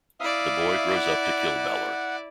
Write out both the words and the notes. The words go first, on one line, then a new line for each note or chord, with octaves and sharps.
The boy grows up to kill Balor.
E4 D5 E5 F5 D#6
F#5